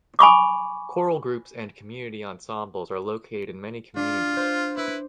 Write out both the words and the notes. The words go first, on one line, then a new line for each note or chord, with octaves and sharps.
Choral groups and community ensembles are located in many communities.
G#5 B5 C#6 D6
D4 F4
C5
E4 B4